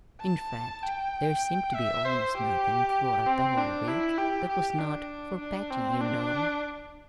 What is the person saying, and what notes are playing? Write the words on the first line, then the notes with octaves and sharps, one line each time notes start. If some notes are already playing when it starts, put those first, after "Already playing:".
In fact there seemed to be almost nothing throughout the whole week that was not "for Patty, you know."
A5
G5
E5
C5
G4
C4
D4
E4
G4
G4
D4
D4
C4
D4